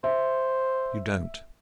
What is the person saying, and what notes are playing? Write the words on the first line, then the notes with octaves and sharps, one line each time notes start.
You don't.
C5 E5